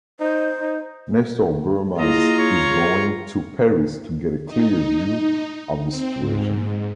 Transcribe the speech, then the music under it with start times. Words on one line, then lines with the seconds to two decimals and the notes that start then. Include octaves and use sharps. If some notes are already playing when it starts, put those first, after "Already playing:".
Nestor Burma's is going to Paris to get a clear view of the situation.
0.20 D#4 C5
0.60 D#4
1.99 A#3 E4 F4 G#4 D#5 A#5
2.39 C#5
2.70 G#4
4.48 D#4
5.90 C4
6.19 G#2